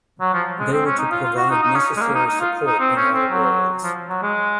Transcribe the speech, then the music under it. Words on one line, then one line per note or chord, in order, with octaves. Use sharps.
They were to provide necessary support in all roles.
F#3
F3
G#3
C4
C#4
D#4
F4
F4
F#4
D#4
D#4
C#4
G#3
A#3
D#4
D#4
F4
D#4
C4
C#4
C4
F#3
F3
F#3
G#3